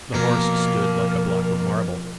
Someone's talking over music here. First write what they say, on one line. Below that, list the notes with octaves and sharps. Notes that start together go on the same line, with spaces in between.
The horse stood like a block of marble.
F2 B2 A#3 A#4